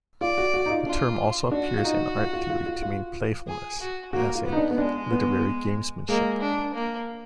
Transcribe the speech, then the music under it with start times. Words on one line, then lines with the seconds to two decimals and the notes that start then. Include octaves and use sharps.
The term also appears in art theory to mean playfulness, as in "literary gamesmanship".
0.21 F4 D5
0.38 F#4
0.54 F#4
0.66 D#4
0.70 F4
0.86 D4 F4
1.52 D4 F#4
1.77 F4
1.84 D#4
2.17 F4
2.33 F4
2.50 F4
2.66 F4
2.82 F4
3.48 G#4
3.80 F#4
4.13 A#3 F#4
4.35 F4
4.45 B3
4.52 D#4
4.57 D4
4.71 B3
4.78 G#3 D4
5.11 B3
6.09 G#3 A#3
6.42 D4
6.74 A#3